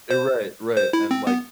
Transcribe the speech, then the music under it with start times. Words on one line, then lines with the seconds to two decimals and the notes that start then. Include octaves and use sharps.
Eh, right, right, and like
0.10 C5
0.77 C5
0.93 E4
1.11 C4
1.27 B3